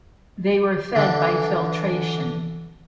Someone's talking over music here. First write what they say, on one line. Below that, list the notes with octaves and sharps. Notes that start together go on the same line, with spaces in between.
They were fed by filtration.
D3 E3